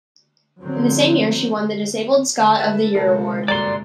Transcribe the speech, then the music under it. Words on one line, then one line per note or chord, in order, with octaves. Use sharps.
In the same year she won the Disabled Scot of the Year Award.
D3 F3 F#3 C4
A4 B4 E5 A5 A6
D#1 C3 G#3 A4 A#4 C5
G1 F#2 A#2 D5 A#5 C6